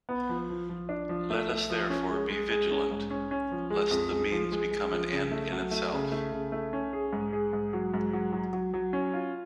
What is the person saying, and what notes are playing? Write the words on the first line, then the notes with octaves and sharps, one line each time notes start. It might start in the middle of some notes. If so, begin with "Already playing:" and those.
Let us, therefore, be vigilant lest the means become an end in itself.
B3
F3
F3
F3
D4
F3
A3
A3
F3
C#4
G#3
G#3
G#3
C#4
G#2
C#4
C#4
F3
G#3
F2
G#3
F3
G#3
G#3
F3
C#3
A3
F#3
A3
C#3
A3
C#3
A3
C#4
G#4
G#2
G#4
G#2
F#3
G#2
F#3
F#3
F#3
F#3
C#4
F4